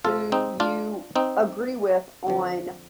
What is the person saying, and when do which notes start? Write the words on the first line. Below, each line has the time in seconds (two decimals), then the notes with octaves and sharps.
who you agree with on
0.04 F2 C3 F3 F4 A4
0.32 C4 D#4
0.60 D4 F4
1.16 C4 D#4
2.27 F2 D3 F3